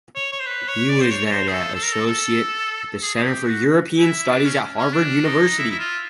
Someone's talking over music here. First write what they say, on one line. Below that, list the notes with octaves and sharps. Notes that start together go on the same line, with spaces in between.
He was then an associate at the Center for European Studies at Harvard University.
C#5
C#5
C5
B4
C#5
D5
C5
C#5
C#5
C5
G#4
A4
A4
A#4
A4
A4
G#4
G#4
G4
F#4
E4
D4
C#4
C#4
D4
D#4
E4
E4
F4